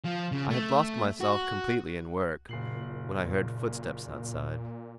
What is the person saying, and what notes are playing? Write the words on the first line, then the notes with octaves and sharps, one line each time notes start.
I had lost myself completely in work, when I heard footsteps outside.
F3
C#3
A3
F#4
F#1 A#2 C7 F#7
A#2